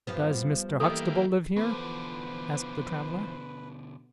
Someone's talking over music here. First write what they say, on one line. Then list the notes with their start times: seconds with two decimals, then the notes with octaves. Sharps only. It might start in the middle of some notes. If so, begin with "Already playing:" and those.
"Does Mr. Huxtable live here?" asked the traveler.
0.07 G2 F3 B3
0.80 E3 G3 A#3 A4 D#5
1.56 B2 D3 E3 F3 B3 A4 B4 C5